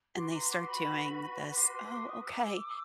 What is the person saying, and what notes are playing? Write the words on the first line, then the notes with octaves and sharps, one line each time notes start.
and they start doing this, "Oh, okay.
F#4 B4 C6 D6
A#5 C6
C6 D6
B5 C#6
C6 D6
C6 D6
C6 D6
C#6 D#6
D6 E6